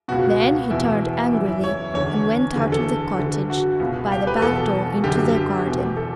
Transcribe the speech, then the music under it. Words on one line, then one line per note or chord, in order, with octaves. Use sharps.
Then he turned angrily, and went out of the cottage by the back door into the garden.
C#2 B2 F#4
E2 B2 E4
F#2 C#3 E3 E4
E4
C#5
E2 D3 C#5
E2 D3
A4
D2 D3
F#4
C#2 B2
G4
B4
E2 B2 A4
F#2 D3 G4
G4
E2 B2
A4